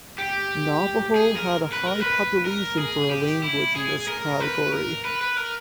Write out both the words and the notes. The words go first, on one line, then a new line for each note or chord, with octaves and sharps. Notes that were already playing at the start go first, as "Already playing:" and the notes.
Navajo had a high population for a language in this category.
G4
G#4
A#4
B4
A#4
B4
A#4
G#4
G4
E4
G#4
A#4
B4
A#4
B4
B4
A#4